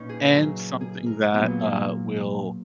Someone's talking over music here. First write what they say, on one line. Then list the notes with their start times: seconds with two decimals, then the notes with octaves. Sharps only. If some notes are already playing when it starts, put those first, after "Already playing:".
and something that, uh, will
Already playing: A#2 C#4 D#4 B4
0.09 G#4
0.26 C#3 F#3 A#4
0.81 G#4
1.06 A#4
1.33 A#2 F#3 B3